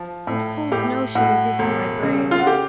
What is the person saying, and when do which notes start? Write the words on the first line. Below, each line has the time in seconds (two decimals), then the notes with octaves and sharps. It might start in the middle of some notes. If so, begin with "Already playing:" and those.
What fool's notion is this in my brain?
Already playing: F3
0.27 A2
0.72 A2 G4
1.15 A2 F#4
1.59 E1
2.03 C#3
2.31 F4
2.40 F#4
2.47 G4